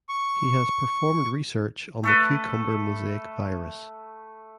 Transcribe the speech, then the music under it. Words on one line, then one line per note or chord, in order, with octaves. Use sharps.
He has performed research on the "cucumber mosaic virus".
C#6
A3 A4 B4